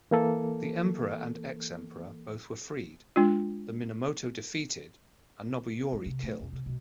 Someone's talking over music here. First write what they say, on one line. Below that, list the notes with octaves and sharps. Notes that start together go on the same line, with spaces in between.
The emperor and ex-emperor both were freed, the Minamoto defeated, and Nobuyori killed.
E3 A#3 A4
G#3 D4 F4
G#3
C3
A3
E2 B2
C3
B2 A3